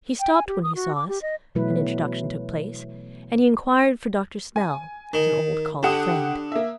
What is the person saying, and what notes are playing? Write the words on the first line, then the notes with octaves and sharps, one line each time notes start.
He stopped when he saw us, an introduction took place, and he inquired for Dr. Snell, as an old college friend.
G5
G#5
G4
D#6
F#4
D6
G4
D#5
B2 E3 F#3 A3 E4 B4
G#5
D#3
D3 G4 F#5 D#6
A#3 E5